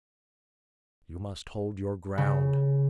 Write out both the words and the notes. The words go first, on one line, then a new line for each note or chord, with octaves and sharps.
"You must hold your ground."
C#3